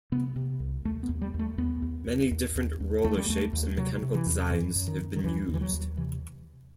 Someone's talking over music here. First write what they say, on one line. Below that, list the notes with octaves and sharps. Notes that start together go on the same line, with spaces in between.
Many different roller shapes and mechanical designs have been used.
C3 B3
C3
C2
D#2 A3
B3
D#2
G3
D#2
A3
D#2 B3
D#2
D#2
D#2
D#2
D#2
D#2 A3
G3
D#2 A3
D#2
C3 F#3
C3
E3
E2
F#2 E3
F#2
D#3
F#2
D#3
D#2 E3
D#2
E3
F#3
D#2
C3 E3